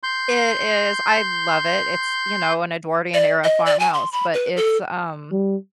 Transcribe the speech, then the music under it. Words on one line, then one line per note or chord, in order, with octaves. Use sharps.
It is, I love it. It's, you know, an Edwardian-era farmhouse, but it's, um
C6 G6
D5
D#5
D5
G#5
C6
B5
B4
A4
G3